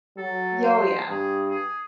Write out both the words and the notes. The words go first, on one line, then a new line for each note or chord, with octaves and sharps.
Y oh, yeah.
F#3 A4
C5
G2 G#4
G#4